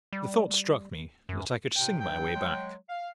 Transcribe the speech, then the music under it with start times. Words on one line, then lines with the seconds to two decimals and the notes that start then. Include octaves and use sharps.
The thought struck me that I could sing my way back.
0.13 G3
1.29 F#2
1.76 A2 C3 G5
2.00 G2 F#3 G5
2.34 F#3 G#3
2.89 F5